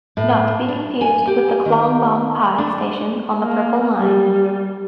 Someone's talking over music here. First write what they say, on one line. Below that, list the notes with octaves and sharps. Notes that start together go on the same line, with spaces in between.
Not to be confused with the Khlong Bang Phai station on the Purple Line.
A2
D4
G#5
G4
D#3
D4
A#3
G3